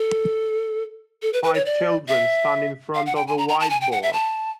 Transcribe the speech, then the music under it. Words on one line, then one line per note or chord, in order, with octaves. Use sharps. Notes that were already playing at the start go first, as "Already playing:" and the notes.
Five children stand in front of a whiteboard.
Already playing: A4
A4
B4
B4
C#5
D5
E5
F5
F#5
G5
G#5
A#5
A#5
A5
G#5
G5
F#5
E5
A5